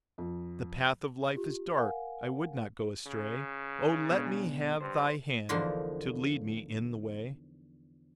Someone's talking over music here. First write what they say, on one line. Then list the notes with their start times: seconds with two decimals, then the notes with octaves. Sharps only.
"The path of life is dark, I would not go astray; Oh, let me have Thy hand To lead me in the way."
0.18 F2
1.36 F4 G4
1.77 A#4 F5 F#5 G#5
3.06 C#3
4.10 B2 G#3 D4
4.81 G2 C5
5.49 E2 D3 F3 A#3 D#4 C6